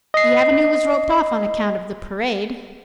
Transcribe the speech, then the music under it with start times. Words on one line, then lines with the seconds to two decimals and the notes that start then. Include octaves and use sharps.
The Avenue was roped off on account of the parade.
0.14 D#5 C7